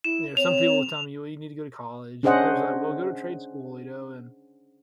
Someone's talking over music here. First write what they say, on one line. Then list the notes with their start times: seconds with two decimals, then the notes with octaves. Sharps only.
You know, some people will tell me, "Well, you need to go to college," and others are like, "Well, go to trade school," you know, and
0.04 E4 E7
0.37 C4 C#5 F7
2.23 C#4 D4 G#4 C5 D#5 F#5